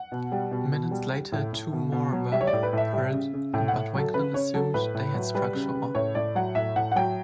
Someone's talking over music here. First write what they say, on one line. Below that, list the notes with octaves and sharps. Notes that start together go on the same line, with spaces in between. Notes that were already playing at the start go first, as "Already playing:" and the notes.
Minutes later two more were heard but Wanklyn assumed they had struck shore.
Already playing: F#5
B2
G3
B2
B2
G3
G3
A2
A2
B2
B2
F#3
G3 E5
C#5
D5
A2
B4
A2 E5
G3 E5
C#3
C#3
A2 G5
F#5
A2
F#3 A4
C#3 B4
C#3 C#5
F#3 A4
A2 B4
A2
F#3
G3 B4
C#3
C#3
A2 C#5
A2 D5
F#3 F#5
A2 E5
A2 F#5
F#5
F#3 G5